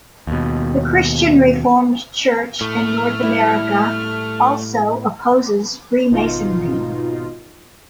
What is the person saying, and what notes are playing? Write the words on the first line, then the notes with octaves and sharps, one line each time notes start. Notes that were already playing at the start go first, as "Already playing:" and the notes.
The Christian Reformed Church in North America also opposes Freemasonry.
D#2 B2
A2 A3 F6
G3 E4
G#1 B2 D#4 F4